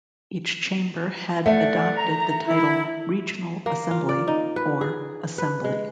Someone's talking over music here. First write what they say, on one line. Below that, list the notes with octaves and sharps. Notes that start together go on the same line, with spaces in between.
Each chamber had adopted the title "regional assembly" or "assembly".
A3 D5 F#5
A#5
E4
A#3
F4
D5
D#4
B4
G#4
B4
G#3